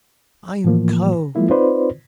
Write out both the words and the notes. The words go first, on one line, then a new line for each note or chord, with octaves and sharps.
"I am cold."
A2 E3 F3 A#3
F3 G3 G#3 A#3 E4 F4
C4 D#4 F4 B4 C5 D5